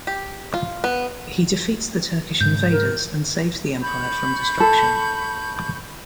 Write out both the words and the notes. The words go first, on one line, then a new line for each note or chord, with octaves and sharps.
He defeats the Turkish invaders and saves the Empire from destruction.
G4
F4
B3
G#2 C#3 G6
A#4
B5 C#6 G6
A4